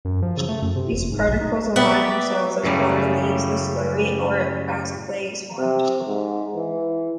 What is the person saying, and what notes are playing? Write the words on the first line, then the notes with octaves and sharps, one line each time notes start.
These particles align themselves as water leaves the slurry, or as clay is formed.
F#2
F3
C#3
A3
F#2
C3
F1
G#2
B1
D#4
G3 B3 D5 E5
F#2 A2 C#3 G3
C3
G#2
E3